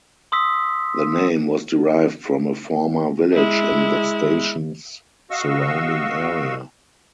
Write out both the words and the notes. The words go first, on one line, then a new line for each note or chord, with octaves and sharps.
The name was derived from a former village in the station's surrounding area.
C6 D#6 E6 B6
G#3 E4
F#4 D#5 F5 C#6 E6